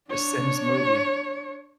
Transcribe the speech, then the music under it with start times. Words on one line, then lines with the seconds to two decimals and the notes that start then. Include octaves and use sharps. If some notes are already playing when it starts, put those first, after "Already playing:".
The Sims movie
0.10 D4 C#5